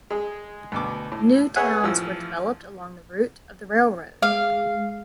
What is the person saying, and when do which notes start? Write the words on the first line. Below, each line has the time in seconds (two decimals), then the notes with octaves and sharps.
New towns were developed along the route of the railroad.
0.10 G#3 G#4
0.72 D2 B2 D6
1.12 A2
1.56 B3 G#4 C#5 E5 F#5 G#5
1.83 A1 F3 E6
4.22 G#3 F5